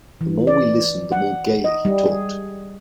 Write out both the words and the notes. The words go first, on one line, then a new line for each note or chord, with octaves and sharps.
The more we listened, the more gaily he talked.
E3
D5
F#5
D#5
G3
G#4